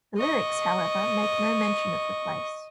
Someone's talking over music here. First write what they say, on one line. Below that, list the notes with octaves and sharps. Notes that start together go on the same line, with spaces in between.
The lyrics, however, make no mention of the place.
D#5 C#6